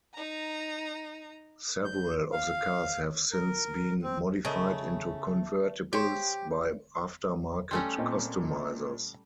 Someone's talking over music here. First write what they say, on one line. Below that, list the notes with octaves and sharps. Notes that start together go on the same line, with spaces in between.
Several of the cars have since been modified into convertibles by after-market customizers.
D#4 A#5
G6
F5
A#4
C4
C#3 A3 A#4 D#5
G4 C5 C#5
G3 A3 C#4 C6
A#2 C4 D#5